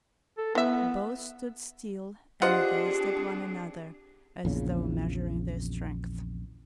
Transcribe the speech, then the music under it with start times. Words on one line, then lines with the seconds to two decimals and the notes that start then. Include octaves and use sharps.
Both stood still and gazed at one another, as though measuring their strength.
0.38 A4
0.55 E3 B3 E5
2.42 C4 D4 F4 G4 G#4 C5 D#5 F#5
4.45 A#1 E2 C#3